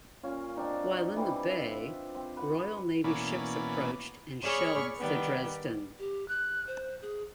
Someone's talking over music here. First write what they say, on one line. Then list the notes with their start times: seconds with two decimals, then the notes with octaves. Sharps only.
While in the bay, Royal Navy ships approached and shelled the "Dresden".
0.23 A#2 C#4 F4
0.57 C4 D4 D#4
1.16 E3 G3 C4
1.47 F4 E5
2.15 C4 C5
2.37 B4 F#5
3.04 B2 E3 A#3 C#4 D5 B5
4.41 G#4 C#5 D5 B5 C#6 F6
4.98 D#3 G3 B3
5.99 G4
6.28 F#6
6.67 C5
7.02 G#4